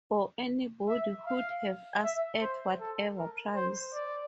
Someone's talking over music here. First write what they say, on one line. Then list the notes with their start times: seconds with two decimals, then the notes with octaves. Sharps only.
For anybody who'd have us-at whatever price.
0.89 E5
1.27 F5
2.03 E5
2.41 C5
2.80 A4
3.18 A#4
3.55 C5
3.94 D5